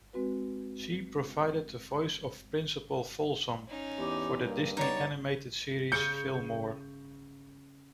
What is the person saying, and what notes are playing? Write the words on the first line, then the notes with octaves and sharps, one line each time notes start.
She provided the voice of Principal Folsom for the Disney animated series Fillmore!
G#3 C4 F#4 B4
C#4 D#4
E2 G4
G2 A#3
B3 D#4 C#5 D5
C#3 G6 C#7